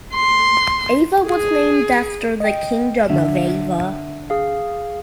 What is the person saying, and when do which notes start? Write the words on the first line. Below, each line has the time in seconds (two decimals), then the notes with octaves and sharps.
Ava was named after the Kingdom of Ava.
0.14 C6
1.26 G#4
2.40 D#5 G5
3.10 D3 E5
4.30 G#4 F5